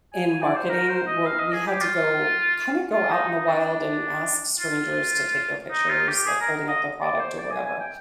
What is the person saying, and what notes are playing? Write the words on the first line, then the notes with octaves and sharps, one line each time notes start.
in marketing, where we had to go kinda go out in the wild and ask strangers to take their pictures, like, holding up the product or whatever.
G#5
G#5
D5
C5
A#4
C5
D#5
F5
D#5
G#4
G4
F4
F4
D#4
D#4
D4
F4
D#4
F4
G4
G#4
A#4
D#5
D5
C5
D5
G#5
G#5
G5